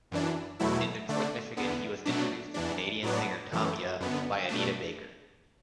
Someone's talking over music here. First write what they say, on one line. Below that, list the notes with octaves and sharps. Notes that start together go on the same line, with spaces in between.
In Detroit, Michigan, he was introduced to Canadian singer Tamia by Anita Baker.
F#2 E3 D4
E2 B2 F#3 A3 E4
D3 A3 D4
E2 D3 B3
B2 F#3 A3 D4
E2 E3 D4
A2 F#3 B3 D4
F#2 E3 A3
F#2 D3 B3
B2 A3 D4